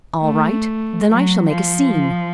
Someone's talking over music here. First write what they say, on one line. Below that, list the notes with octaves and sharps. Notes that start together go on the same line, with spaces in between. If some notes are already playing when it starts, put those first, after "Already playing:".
"All right; then I shall make a scene."
A3
F#3
F3